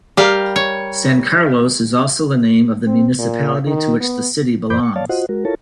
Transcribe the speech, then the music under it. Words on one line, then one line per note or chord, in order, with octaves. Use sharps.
San Carlos is also the name of the municipality to which the city belongs.
G3 G4 A#4 F5
C#5
C4
A#2
D#3
B3
F#2 E3 C5 B5 D6 G6
C#6
C#5 D5 F5 A5
F4 F#4 C5 D#5 F#5
G#3 F#4 A#4
E4 F4 A4 A#4 C#5 A5